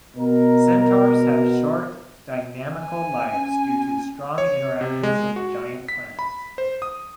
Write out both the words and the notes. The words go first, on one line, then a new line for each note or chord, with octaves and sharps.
Centaurs have short dynamical lives due to strong interactions with the giant planets.
B2 A#4
G#5
C#4
C#5
C3
G#3
F#4
B6
B5
C5
D#6